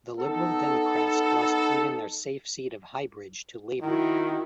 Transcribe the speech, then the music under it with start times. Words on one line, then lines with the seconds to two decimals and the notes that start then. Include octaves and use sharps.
The Liberal Democrats lost even their safe seat of Highbridge to Labour.
0.19 B3 D#4 A4
3.82 D#3 E4 F#4